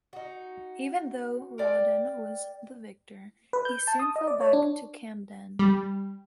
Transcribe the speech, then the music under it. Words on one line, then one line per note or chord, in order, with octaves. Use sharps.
Even though Rawdon was the victor, he soon fell back to Camden.
D#4 F#4
A#4 D5 G5
B4
G6
A5
D#6
D#5
D5
C#5
D4
G3